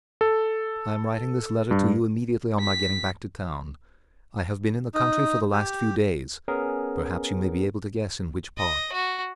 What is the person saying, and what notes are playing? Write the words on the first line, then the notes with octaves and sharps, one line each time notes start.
I am writing this letter to you immediately on my getting back to town. I have been in the country for the last few days; perhaps you may be able to guess in which part.
A4
G2
B6
D#4
G4
B3 C#4 G#4 A#4
D#5
F#4